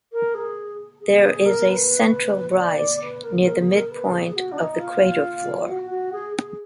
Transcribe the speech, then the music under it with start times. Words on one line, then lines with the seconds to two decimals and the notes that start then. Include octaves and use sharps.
There is a central rise near the midpoint of the crater floor.
0.12 A#4
0.34 G#4
1.01 G#4
1.23 G#4
1.45 A#4
1.68 B4
2.57 D5
3.01 B4
3.23 A#4
3.36 G#4
3.45 A#4
3.59 G#4
3.75 A#4
3.90 B4
4.12 G#4
4.34 F#4
4.51 D4
4.56 D#4
4.79 F4
5.67 F#4
5.89 F#4
6.12 G#4
6.35 G#4